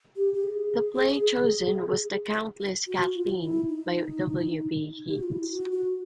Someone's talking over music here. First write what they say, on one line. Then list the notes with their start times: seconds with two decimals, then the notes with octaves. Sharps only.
The play chosen was "The Countess Cathleen" by W. B. Yeats.
0.16 G4
0.34 G4
0.43 G#4
2.87 F#4
3.15 F4
3.42 E4
3.69 D#4
5.08 G4
5.16 F#4
5.23 F4
5.32 E4
5.51 F#4
5.72 F#4